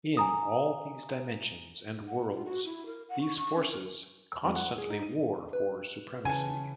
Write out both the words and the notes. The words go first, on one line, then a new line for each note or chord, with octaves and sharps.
In all these dimensions and worlds, these forces constantly war for supremacy.
G#5 A#5 D#6
F#5
F4
F#4
E4
A#4
F#5
C#6
C#6
C#4
A#4
F2
F#5
G#4
D#4
D#7
B4
C#3 E3 C#4 G#5 A5